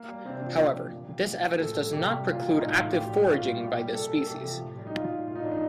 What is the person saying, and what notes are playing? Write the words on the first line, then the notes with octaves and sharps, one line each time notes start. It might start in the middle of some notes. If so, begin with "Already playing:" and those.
However, this evidence does not preclude active foraging by this species.
Already playing: A#3
G3
C3 C4
D4
F3
F4
A#2 G4
F3
A#2
F3
A#2
F3
A2 A4
G3
C3 G4
G3
A#2 F4
G3
D#4
A2 F4
F3
A2 G4
G3
A2 F4
G3
A#2 G4
G3
A#2 A4
G3 A4
C3 G4
F3
A2
G3
D#4
A#2 F4
G3
A2 F4
D#4
F3 D4
D#4